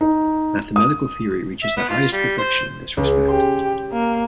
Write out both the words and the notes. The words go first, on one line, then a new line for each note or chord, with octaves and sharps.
Mathematical theory reaches the highest perfection in this respect.
D#4
D#6
E5
B3
F4
G3
C5
C#2
G4 C6
A#3